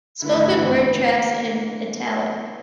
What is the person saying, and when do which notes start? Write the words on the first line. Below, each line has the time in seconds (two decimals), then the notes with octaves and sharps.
Spoken word tracks in "italic".
0.22 D3 A3 E4 B4
0.36 E3
0.49 E3
0.63 E3